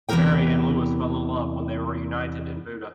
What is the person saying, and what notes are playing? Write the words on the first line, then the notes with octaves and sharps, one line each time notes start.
Mary and Louis fell in love when they were reunited in Buda.
E2 C3 F3 E4 A#4 G5